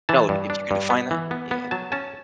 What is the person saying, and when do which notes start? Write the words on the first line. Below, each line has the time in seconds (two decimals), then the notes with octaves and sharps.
No, if you can define that Yeah.
0.09 E3 A5
0.29 G2
0.50 D4
0.71 G2
0.90 B3
1.11 E3
1.31 B3
1.51 B3
1.71 F#3 A5
1.92 C#4 A5